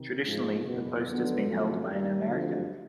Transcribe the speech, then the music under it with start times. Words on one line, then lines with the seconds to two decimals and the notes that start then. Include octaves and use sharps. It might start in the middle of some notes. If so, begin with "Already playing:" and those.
Traditionally, the post has been held by an American.
Already playing: C3 D#3
0.25 G#2 F3 G#3
0.66 F#1 E2 B2
1.06 F2 D3 F#3 B3
1.46 F2 C#3 F#3 A3
1.85 D#2 D#3 G3
2.25 D2 C3 F3